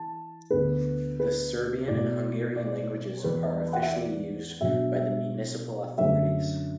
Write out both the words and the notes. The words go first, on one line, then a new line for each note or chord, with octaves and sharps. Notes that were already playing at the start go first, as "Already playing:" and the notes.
The Serbian and Hungarian languages are officially used by the municipal authorities.
Already playing: E3 A5
D2 D3 B3 B4
B4
B2 A3 E4 D5
D5
E2 E3 B3 B4
F#5
E5
D5
B2 F#3 D4 E5
E5
F#2 D3 A3 D4 E5